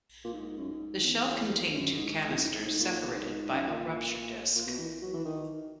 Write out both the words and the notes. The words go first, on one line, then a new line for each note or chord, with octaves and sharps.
The shell contained two canisters separated by a rupture disk.
A#2
G#2
F#2
G#2
E2
F#2
G#2
G#2
E2
F#2
G#2
A#2
G#2
F#2
A#2
A#2
B2
E3
F#3
E3
D#3